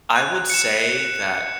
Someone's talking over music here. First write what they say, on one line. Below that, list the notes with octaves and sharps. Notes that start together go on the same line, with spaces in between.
I would say that
F#6
C#7 E7